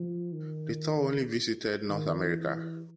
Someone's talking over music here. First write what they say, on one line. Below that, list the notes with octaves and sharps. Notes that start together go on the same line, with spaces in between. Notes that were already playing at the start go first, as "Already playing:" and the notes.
The tour only visited North America.
Already playing: F3
D#3
D#3
E3